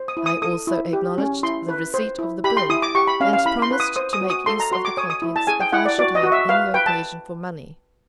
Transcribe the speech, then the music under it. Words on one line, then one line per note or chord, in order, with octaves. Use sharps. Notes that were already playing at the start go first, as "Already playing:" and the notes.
I also acknowledged the receipt of the bill, and promised to make use of the contents if I should have any occasion for money.
Already playing: C5
D#6
E4
D#6
A4 D#6
E4
G4
C#4
E4 C6
B4
C5
E4
G4 B5
C6
E4 D#6
D6
G4 C#6
B5
C#4 F5
F5
E4 B5
C6
B4
D#6
C5 D#6
D#6
F#4
D#6
A4 C6
A#5
F#4 C6
D6
C#5 D#6
D#6
E4
A5
G#4 G#5
G5
E4 F#5
D5
F#4 D5
D#5
F#4
E5
B4 F5
B4 G5
A5